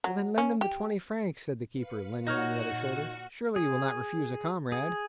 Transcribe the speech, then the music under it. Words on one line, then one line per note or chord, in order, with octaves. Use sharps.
"Well, then, lend him the twenty francs," said the keeper, leaning on the other shoulder; "surely you will not refuse a comrade!"
F#3
C#4
G4
B4 F5 C#7
A#2 D#4 F#4 C#5 F6 A#6
G#4
G#4